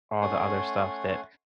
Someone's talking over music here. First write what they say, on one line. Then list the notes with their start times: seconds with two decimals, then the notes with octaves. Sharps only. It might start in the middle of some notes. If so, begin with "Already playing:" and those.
all the other stuff that
0.22 A3 C#4 F#5 G#5 C6